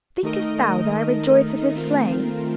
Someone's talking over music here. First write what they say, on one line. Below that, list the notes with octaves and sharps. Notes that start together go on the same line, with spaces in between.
Thinkest thou that I rejoice at his slaying?
D#3 A3 D#4 A#4 D#5
D#3 A3 C4 F4 A#4